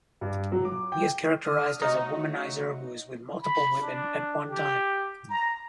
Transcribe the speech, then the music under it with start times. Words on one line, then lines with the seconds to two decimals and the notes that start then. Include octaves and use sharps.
He is characterized as a womanizer who is with multiple women at one time.
0.21 G2
0.52 F#3
0.65 D6
0.92 G5
1.44 D4 D#6 F6
1.82 F#3 A3 D#4 F#4
3.41 B5
3.81 D4
4.49 G4
5.30 A#5